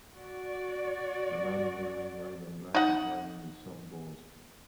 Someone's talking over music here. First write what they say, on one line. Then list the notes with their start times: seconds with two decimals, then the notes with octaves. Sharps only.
A man wearing red and black is riding a surfboard.
0.15 F#4 D5
2.74 D#4 F#5